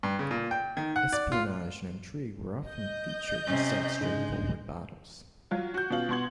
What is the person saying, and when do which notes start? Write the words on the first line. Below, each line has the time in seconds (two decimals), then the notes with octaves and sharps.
Espionage and intrigue were often featured instead of straightforward battles.
0.03 G2
0.19 C#3
0.31 A#2
0.51 G5
0.77 D#3
0.96 F#5
1.13 D5
1.32 F4
2.68 D#5 G6
3.46 C3 C#4
4.01 G#2 C#3 G#3 D4
5.51 F#3 F4
5.74 F#4 G6
5.90 B2 C#4 F4 F#7
6.09 B2 F#5 C6 G#6 F#7